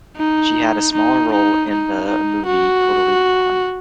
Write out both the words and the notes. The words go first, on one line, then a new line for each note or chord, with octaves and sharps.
She had a small role in the movie "Totally Blonde".
D#4
D#4
D#4
D#4
D#4
F#4